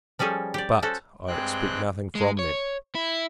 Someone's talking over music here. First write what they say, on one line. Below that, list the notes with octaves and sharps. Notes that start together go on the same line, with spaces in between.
But, I expect nothing from them.
F3 G3 C#4 G#4 A4
G4 D5
C#4 F#4 A4 C5
G2 G#3 C4 G5 F#6
G#3
C#5
E4